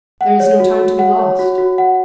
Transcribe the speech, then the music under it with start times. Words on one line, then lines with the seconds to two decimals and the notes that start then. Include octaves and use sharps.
"There is no time to be lost."
0.21 F#5
0.40 C#5
0.60 F#4
0.79 F#4
0.99 F#5
1.19 C#5
1.39 F#4
1.58 F#4
1.78 F#5